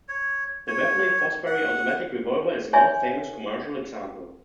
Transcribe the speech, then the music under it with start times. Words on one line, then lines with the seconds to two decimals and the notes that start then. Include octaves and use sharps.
The Webley-Fosbery Automatic Revolver is the most famous commercial example.
0.08 C#5
0.67 C#5
1.46 F#5
2.73 C#5 D5 E5 G#5 C6